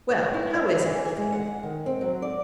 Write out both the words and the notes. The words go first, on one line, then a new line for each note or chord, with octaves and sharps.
'Well, how is everything?'
C#5
E4
D4
F#3
E3
G#4
G#3
F#5
D#3
C4
F#3
D5